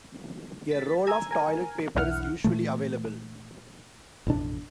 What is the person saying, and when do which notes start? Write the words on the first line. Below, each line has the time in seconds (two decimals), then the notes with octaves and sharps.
A roll of toilet paper is usually available.
0.71 A6 B6
1.07 G#5 A#5 E6 G#6
1.31 A#4 G#5
1.95 B1 E2 D4 E4 F#5 F6
2.44 A#2 E3 A3
4.27 A1 F2 B2 D4